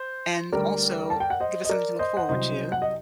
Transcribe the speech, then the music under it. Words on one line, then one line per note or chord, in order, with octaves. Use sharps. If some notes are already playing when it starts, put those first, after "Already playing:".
and also give us something to look forward to
Already playing: C5
D2 D3 G3 A#4 D5
A5
G5
F#5
C5 D#5
D#5
A#4 D5
C5 D#5
F#5
C2 C3 F#3 C5 D#5
F#5
D#5